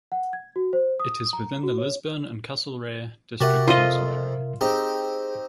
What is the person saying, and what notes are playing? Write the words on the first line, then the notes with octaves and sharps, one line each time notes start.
It is within the Lisburn and Castlereagh District Council area.
F#5
G#6
F#4
C5
D#6
A#5
F#4
C#5
C3 F#4 G4 A#4 D5 E5
F2 F4 D#5
C4 D#4 G4 G#4